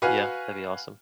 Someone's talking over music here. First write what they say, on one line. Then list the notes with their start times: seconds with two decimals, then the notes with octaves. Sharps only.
Yeah. That'd be awesome.
0.02 F#4 B4 F5 G#5